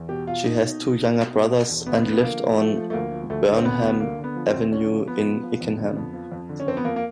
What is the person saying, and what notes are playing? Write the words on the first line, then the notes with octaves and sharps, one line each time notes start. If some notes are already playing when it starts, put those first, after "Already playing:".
She has two younger brothers and lived on Burnham Avenue in Ickenham.
Already playing: E2
B2 G4
B2 F4
B2 D#4
B2
B2
B2
B2
B2
B2
E2
D2 B3
D3
B3
F3 A#3
F3
F3 A3
F3
A3
D2 A#3
F3
D2 A3
D3
C4
D2 B3
D2 B3
D3 A#3
D3
B3
F3
C4
D2
D3 C#4
F3
F3 B3
F3
F3
F2
D3
F2
F3
F2
D3
C#4
F2 C4
B3
F2 A#3
A#3